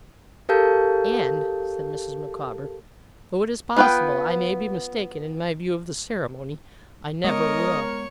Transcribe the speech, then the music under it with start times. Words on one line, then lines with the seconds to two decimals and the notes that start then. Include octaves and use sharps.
And,' said Mrs. Micawber, 'though it is possible I may be mistaken in my view of the ceremony, I never will!'
0.49 G4 A4 A#4 F5 A5 G6
3.77 B3 F4 B4 D5 G5
7.24 G#3 B3 A#4 C#5 D#5 D#6